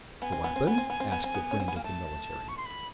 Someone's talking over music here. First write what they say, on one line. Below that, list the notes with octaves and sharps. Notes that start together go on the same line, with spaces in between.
"The weapon?" asked the friend of the military man.
B3 G#5
C4
B3
C4
B3
C4
B3
C4
B3
C4
B3
C#4
C4
B3
A#3 G#5
A3 A5
C#6
C6
B5